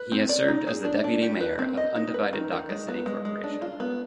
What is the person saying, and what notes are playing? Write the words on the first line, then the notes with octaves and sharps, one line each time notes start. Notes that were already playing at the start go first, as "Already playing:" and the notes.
He has served as the Deputy Mayor of Undivided Dhaka City Corporation.
Already playing: B4
C4
D5
D#4
G#4
D4
D4
G4
B4
C4
D#5
D#4
B4
D#3
D#3
G#3
B3
G#3
G#3
D4
F4
B3